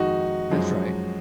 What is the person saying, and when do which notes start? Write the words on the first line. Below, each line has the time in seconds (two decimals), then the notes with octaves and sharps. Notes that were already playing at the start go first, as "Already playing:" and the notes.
That's right.
Already playing: F2 D#3 G#3 D#4 F#4
0.51 F#2 F3 G#3